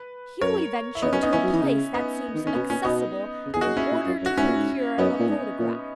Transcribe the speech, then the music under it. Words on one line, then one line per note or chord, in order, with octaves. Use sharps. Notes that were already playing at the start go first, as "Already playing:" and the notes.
Here we venture to a place that seems accessible in order to procure a photograph.
Already playing: B4
F#2 A#4 C#5
E4
E2 B3 D#4
F#2 C#4
B3 D#4
E3 C#4 E4
F#3
E3
C#3
B3 D#4
D#3
D#3 C#4
B2 B3
A#2 C#4
B2 B3 D#4
C#3
E2 G#4
F#2 D#4 F#4
A#2 C#4 E4
A#2
F#2
F#2
F#4
G#2 C#4 E4
A#2
G#2
F#2 B3 D#4
A#2
G#2
A#2